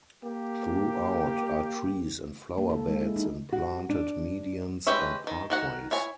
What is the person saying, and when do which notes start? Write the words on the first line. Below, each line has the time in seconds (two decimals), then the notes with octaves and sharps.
Throughout are trees and flower beds in planted medians and parkways.
0.24 A#3 G4
2.58 A#3
2.70 A4
2.88 G#3
3.01 E4
3.16 D#4
3.52 F#4
3.89 D4
4.87 G#3 G4 B4 C#5 E5
5.27 D#3
5.50 D#3 F#4 F#5
5.91 E4 C#5 G#5